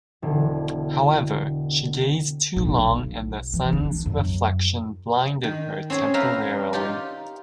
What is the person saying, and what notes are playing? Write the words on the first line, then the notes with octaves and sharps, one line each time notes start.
However, she gazed too long and the sun's reflection blinded her temporarily.
E1 D3
B1
B1
E3
D4
F#2 F#3
D#3
C4 C#4 G#4
A#4 B4 E5 F5 G5
D#4 F4 G4 D5